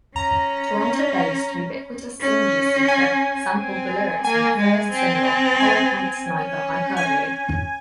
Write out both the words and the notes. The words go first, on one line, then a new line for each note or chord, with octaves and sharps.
Toronto-based Ubiquitous Synergy Seeker sampled the lyrics in their first single, "Hollowpoint Sniper Hyperbole".
C#4 A#5
C#4
G#5
C4
A#3 G#5
G#3
C4
G#5
C#4
G#5